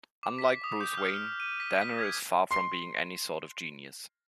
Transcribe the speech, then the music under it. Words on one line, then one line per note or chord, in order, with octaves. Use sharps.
Unlike Bruce Wayne, Danner is far from being any sort of genius.
D6
B6
D#6
G6
F6
F6
D#7
B6
B6
G#6
C6 C7